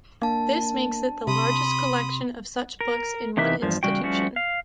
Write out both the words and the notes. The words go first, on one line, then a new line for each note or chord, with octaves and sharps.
This makes it the largest collection of such books in one institution.
A#3 D4 A5
C3 B5 C6 D#6
A#4
C3 E3 D#4 G4 B4 E5
E2 G2 F3
E2 C#3 G3 F#4 G5
F3 G3 A3 C#4 F#4
F5